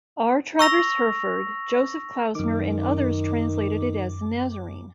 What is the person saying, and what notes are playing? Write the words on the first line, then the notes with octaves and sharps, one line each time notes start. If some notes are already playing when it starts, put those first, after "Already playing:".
R. Travers Herford, Joseph Klausner and others translated it as the Nazarene.
C#6 E6 A#6 F7
F#2 D#3 D6